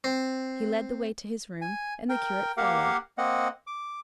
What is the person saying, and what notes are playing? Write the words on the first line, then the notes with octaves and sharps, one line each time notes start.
He led the way to his room, and the curate followed.
C4
G#5
A#4 G5
A#3 G4 A#4 F5 F#5
A#3 C4 D#5 F#5
D6